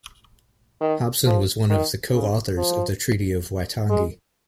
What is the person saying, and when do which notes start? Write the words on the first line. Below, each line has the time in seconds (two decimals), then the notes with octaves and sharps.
Hobson was one of the co-authors of the Treaty of Waitangi.
0.81 D#3
1.25 F3
1.70 D#3
2.13 C#3
2.57 F3
3.89 G#3